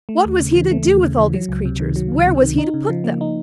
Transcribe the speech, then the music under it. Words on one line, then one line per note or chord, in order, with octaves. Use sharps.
What was he to do with all these creatures, where was he to put them?
A3
D#2
C#3
E3
A3
D#2
C#3
E3
F#3
C#2
C3
D#3
F#3
C#2
C3
D#3
D#4
C#3
F3
A#3
D#4